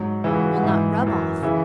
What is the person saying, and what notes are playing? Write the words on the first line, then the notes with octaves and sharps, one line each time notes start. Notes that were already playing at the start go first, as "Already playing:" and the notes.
Will not rub off.
Already playing: G#2 F#3
C#2 C#3 E3 E4
F#4
F#5
G#2 E3 E5
F#2 E3
C#3 E3 E5